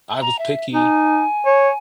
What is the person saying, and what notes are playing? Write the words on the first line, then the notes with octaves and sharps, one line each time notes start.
I was picky,
A#5
E5
D#4 G#5
C#5